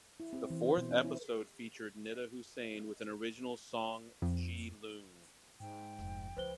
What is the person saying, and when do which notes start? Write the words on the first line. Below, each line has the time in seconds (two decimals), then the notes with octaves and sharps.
The fourth episode featured Nida Hussain with an original song Jee Loon.
0.20 E4
0.33 C4
0.50 E3
0.66 C5
0.77 B2
0.91 C#4
1.05 E4
4.22 F2
5.60 G#2 G5
5.99 F1 F2
6.37 C#2 F3 B4 C5 G7